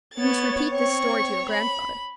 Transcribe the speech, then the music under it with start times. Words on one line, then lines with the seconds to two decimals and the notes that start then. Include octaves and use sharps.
"You must repeat this story to your grandfather."
0.14 B3 C#5 A6
0.74 C4 C#6
1.51 B5